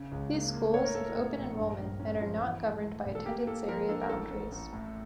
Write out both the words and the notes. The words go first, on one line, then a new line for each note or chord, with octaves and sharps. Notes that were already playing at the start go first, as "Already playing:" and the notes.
These schools have open enrollment and are not governed by attendance area boundaries.
Already playing: C#3
C#2
A#3
A#3
A2 C#5
A#4
A2 A4
A#4
A2
A#1
G2
G2
C#4
F3
E3
A3
A3
E1
A4
A#3 G4
A#3 A4
F3 A#4
D4 A4
A#4
A1 A4
A1
A1
A2